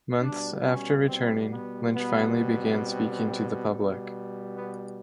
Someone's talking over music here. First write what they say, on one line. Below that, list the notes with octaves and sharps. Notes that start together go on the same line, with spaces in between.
Months after returning, Lynch finally began speaking to the public.
B2 G3 D4
C#4
C4
B3
B2 G3 B3
C4
B2 G3
B3